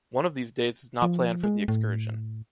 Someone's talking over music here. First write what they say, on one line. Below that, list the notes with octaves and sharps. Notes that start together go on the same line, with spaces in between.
One of these days is not planned for the excursion.
F3
G#3
A2